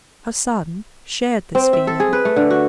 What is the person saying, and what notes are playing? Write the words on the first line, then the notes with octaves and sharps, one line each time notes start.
Her son shared this feeling.
C4
E5
A4
G#4
B4
A3
D3
F#4